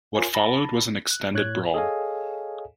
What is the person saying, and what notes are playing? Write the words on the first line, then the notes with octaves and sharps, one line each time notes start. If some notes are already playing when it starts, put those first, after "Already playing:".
What followed was an extended brawl.
F4 A#4 C#5 G#5
A5 B5 A6 A#6
F#6
A2 C#5 F#6 G#6
G#4 A4 C#5 D#5 F5 G#5